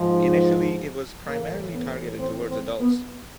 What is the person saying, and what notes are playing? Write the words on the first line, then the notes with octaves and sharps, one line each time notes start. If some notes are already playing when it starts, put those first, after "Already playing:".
Initially, it was primarily targeted towards adults.
Already playing: G#2 F3
A2 E3 A#3
B3
C4
C4
B3